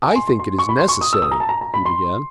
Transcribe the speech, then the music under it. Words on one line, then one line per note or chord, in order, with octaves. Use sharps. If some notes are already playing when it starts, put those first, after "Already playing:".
"I think it is necessary," he began.
G#5
C6
C6
C6
C#6
B5
C6
C#6
D#6
E6
D#6
A#5
A5
A#5
A#5
B5
C6